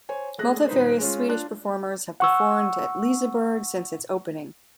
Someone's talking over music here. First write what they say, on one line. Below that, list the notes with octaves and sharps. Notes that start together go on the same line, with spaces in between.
Multifarious Swedish performers have performed at Liseberg since its opening.
C5 C#5 G#5
A3 G#4 F#6 A#6
D#1 D#4 B4 C5
G#3 C#4 F4
D4 F4 F#6
F#5 C#6 E6